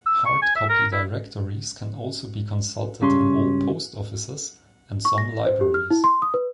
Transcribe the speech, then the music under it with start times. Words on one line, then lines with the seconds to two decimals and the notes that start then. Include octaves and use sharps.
Hard-copy directories can also be consulted in all post offices, and some libraries.
0.06 E6
0.26 C#6
0.42 G#5
0.56 E5
0.69 A#4
0.93 E4
3.01 C#2 G2 C#4 B5 C6
5.05 C#6
5.18 A#6
5.46 C5
5.61 G4
5.74 F6
5.91 E4
6.04 C6
6.22 D#6
6.34 B4